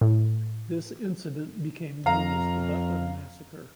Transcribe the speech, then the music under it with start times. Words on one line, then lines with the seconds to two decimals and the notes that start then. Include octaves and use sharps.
This incident became known as the Butler Massacre.
0.01 A2
2.06 F2 F5 A#5